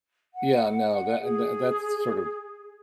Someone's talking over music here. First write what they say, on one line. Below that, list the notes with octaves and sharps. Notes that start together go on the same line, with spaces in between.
Yeah, no, tha and tha that's sort of
F#5
G#4